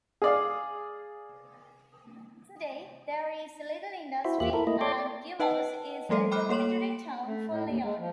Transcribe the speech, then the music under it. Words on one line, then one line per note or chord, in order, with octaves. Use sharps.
Today there is little industry and Givors is a dormitory town for Lyon.
G#4 D5 F5
E4 F#4 C5 E5
E2 A#3 F4 G4 E5 F#6
E4 A4 A#4
A3 A#3 E4 D#5
A4 C#5 D5 C6 D6
D5
D#4 B4 D#5 F#5 G5 A5
F3 G3 A3 A4 C5
G5 B5 D6 F6 F#6
A#3 A4 C#5 C6 F#7
A3
A2
D#2
G#3
F3